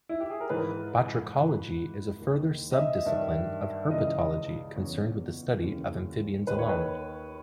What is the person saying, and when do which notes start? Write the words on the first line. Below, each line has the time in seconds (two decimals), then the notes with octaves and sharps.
Batrachology is a further subdiscipline of herpetology concerned with the study of amphibians alone.
0.09 E4
0.20 G4
0.30 G#4
0.40 A#4
0.50 G#2 E3 B4
1.35 G#2 E3
2.20 D#2 D#3
2.71 D#5
2.78 E5
3.05 G2 D#3 E5
3.91 C#2 C#3 E3 D#5
4.76 E2 C#3 E3 C#5
5.62 D#2 C#3 E3
6.47 D#2 D#3 B4
6.59 C#5
6.69 B4